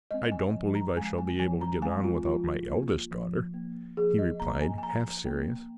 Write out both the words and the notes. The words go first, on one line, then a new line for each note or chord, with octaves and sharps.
"I don't believe I shall be able to get on without my eldest daughter," he replied, half-serious.
G#3 C4 D#5
G#5
F3
A#5
G#3 C4 G#5
G#5
F3 G#5
A#5
G#3 C4 G#5
F4
F3 F4
A#3
F3
A#3
F3 G#4
D#5
A#3 A#5
G#5
G#5
F3 A#5
A#3